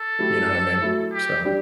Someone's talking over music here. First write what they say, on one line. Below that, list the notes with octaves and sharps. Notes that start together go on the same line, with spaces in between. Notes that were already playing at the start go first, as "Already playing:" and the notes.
You know what I mean? So
Already playing: A4
F#3 A3 E4 G4
F#3 A3 E4
G4
G3 D4 G4